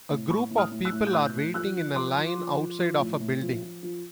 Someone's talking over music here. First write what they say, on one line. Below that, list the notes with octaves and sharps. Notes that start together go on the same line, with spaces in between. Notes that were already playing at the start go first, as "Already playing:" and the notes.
A group of people are waiting in a line outside of a building.
A2
A2 B5 C#6
A2
D#6 F6
A2
E6 F#6
A2
G6
A2 E6 F#6
A2
F3 E6 F#6
F3
F3 C6 D6
F3
F3
F3
F3
A2
A2
F3
F3
F3